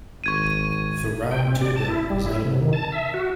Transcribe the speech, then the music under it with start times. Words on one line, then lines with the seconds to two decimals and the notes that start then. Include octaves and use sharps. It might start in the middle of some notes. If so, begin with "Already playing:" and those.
The round tuber is edible.
0.24 G#1 C#6 G#6 D#7
1.31 G5
1.47 C4
1.61 D5
1.76 A5
1.88 E4
2.10 G3
2.26 E4
2.45 C3
2.61 D#3
2.73 A5
2.92 E5
3.14 F#4